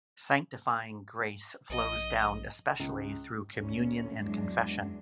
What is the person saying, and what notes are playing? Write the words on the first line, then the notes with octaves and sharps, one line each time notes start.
Sanctifying grace flows down especially through communion and confession.
A#1 D#5
C#2
D2 C#4
E2 F#3 G#3 D4